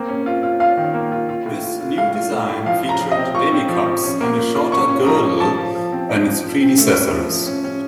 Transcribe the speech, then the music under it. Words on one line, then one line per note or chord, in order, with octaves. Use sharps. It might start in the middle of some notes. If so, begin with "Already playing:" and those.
This new design featured demi-cups and a shorter girdle than its predecessors.
Already playing: A#3 C4
C#4
F4
F4
F4 F5
D#3
A#3
F4
F4
A2
F4
F4
A2 F5
F4
A3
A2
F3 F5
F4
A#5
F3
D#5
C4
F4 C#6
C4
F3
F3
C#4
A#3
F4
F4
C#4 C#6
C#4
F3 A#5
C#4
F3 A5
F3
F3
C4
D#4
F3
F3
C4
A3
C#4
F3
F3
C#4
C#4